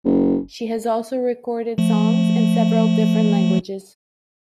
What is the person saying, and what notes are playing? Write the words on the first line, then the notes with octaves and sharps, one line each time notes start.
She has also recorded songs in several different languages.
F#1
F3 A3